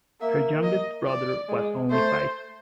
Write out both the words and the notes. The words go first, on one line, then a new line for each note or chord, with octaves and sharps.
Her youngest brother was only five.
A#3 E5
D#5
D5
G#3
A3 C5